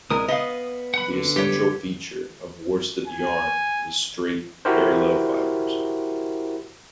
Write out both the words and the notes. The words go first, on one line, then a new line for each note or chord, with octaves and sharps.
The essential feature of worsted yarn is straight, parallel fibres.
C2 G#3 A#4 D#6
B3 D#5 F5
F#5 B5
D3
G4 C#5
G#5
E4 F#4 G4 A#4 C5